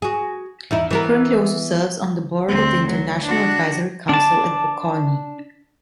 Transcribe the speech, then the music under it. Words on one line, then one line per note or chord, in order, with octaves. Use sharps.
He currently also serves on the board of the International Advisory Council at Bocconi.
F#4 G#4
E2 D#4 E4
E3 B3 A#4
D2 C4
F#3
D4 F#4
D4 A5